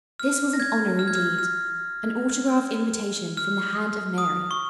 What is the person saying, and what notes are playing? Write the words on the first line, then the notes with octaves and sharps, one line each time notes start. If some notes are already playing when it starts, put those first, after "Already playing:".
This was an honor indeed--an autograph invitation from the hand of Mary!
F6
A#6
G#6
F6
G#6
F6
F6
F6
D#6
C#6